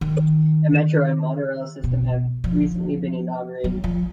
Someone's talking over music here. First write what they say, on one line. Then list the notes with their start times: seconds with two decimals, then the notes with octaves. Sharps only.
A metro and a monorail system have recently been inaugurated.
0.01 D#3
1.84 B2
2.44 F3
3.64 F#3
3.84 F3